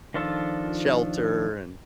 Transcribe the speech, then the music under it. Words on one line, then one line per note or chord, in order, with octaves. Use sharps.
shelter, and,
D#3 F3 D4 F4 A4